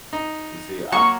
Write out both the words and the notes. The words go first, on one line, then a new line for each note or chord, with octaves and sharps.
and see I
D#4
F#3 A#3 C#6